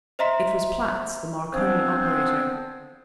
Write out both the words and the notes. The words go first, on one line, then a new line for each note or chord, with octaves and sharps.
It was Platts, the Marconi operator.
C5 D#5 E5 A#5 C6 B6
F3 B3 C4 D4 G#4 C5